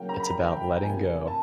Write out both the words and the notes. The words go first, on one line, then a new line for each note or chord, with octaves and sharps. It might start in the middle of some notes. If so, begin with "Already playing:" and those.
It's about letting go.
Already playing: C#3 F#3 A#3 G5
A#5
B5
G5
C3 F3 A#3 G#5
A5